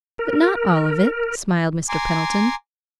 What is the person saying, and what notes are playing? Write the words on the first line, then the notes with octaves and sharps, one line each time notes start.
"But not all of it?" smiled Mr. Pendleton.
A#4
G#5 A#5 C6 D6